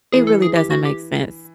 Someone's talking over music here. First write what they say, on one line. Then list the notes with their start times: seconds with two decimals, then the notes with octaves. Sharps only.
It really doesn't make sense.
0.12 E3 G#4
0.27 A4
0.42 G#4
0.57 G4
0.71 F#4
0.85 G4